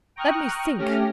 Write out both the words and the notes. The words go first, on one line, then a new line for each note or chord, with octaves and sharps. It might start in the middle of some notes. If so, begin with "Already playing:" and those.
"Let me think."
G5 A#5 C#6 D#6 F6 F#6
A3 C#4 G4 F6 A#6